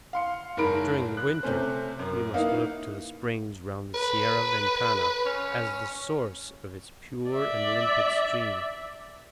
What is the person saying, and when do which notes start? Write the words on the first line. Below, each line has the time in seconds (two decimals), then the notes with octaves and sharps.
During the winter we must look to the springs round the Sierra Ventana as the source of its pure and limpid stream.
0.13 F5 C6 C#7
0.57 F#1 G#2 A#4 B5 D7
1.17 F#6
1.43 C3 A3 C#4 C5
1.99 F#2 A#4
2.34 A#3 D#4 E4 B4 F5
3.95 B4
5.26 C#4
7.32 D5 E5